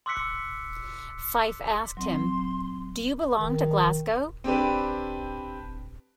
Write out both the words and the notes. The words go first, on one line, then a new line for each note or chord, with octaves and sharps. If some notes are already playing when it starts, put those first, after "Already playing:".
Fyffe asked him: Do you belong to Glasgow?
C6 D6 E6 F#6 B6 C#7
F#3 C4 C6
D#3
C4 D4 G4 B4